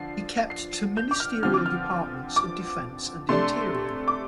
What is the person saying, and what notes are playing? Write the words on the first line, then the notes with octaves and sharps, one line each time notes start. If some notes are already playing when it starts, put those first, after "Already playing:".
He kept to ministerial departments of defence and interior.
Already playing: D3 F3 D4 C7
C7
G6
D6
F6
D3 F3 C4 F6
D6
F6
D6
C3 A3 D4 C6
D6